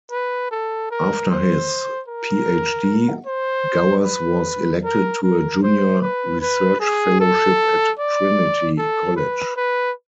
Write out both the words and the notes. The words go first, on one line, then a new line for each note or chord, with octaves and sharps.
After his PhD, Gowers was elected to a Junior Research Fellowship at Trinity College.
B4
A4
A#4
C5
A#4
C5
B4
A#4
A#4
C5
B4
B4
G#4
A4
D5
A4
B4
B4